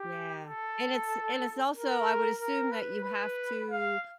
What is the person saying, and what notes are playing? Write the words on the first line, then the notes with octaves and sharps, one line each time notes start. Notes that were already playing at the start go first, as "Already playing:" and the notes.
Yeah. And, it's and, it's also, I would assume, that you have to,
Already playing: G4
A4
A#4
A#4
B4
B4
F5